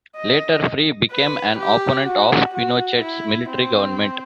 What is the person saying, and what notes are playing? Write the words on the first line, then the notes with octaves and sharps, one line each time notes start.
Later, Frei became an opponent of Pinochet's military government.
D#5
B4
G4
F#4
F#4
E4
C4